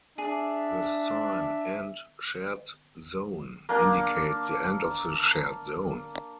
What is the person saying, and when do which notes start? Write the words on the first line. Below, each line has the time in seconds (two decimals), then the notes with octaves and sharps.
The sign "End Shared Zone" indicates the end of the "shared zone".
0.18 D4 G#4 E5
3.69 A#3 D4 A#4 A#5